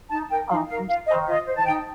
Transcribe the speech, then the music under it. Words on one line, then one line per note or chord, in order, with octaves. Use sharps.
Oh, I'm sorry.
D#4 A5
A#4 G5
D#4 F5
A#4 F5
F4 F5
C5 D#5
F4 D#5
C5
A5
D#4 G5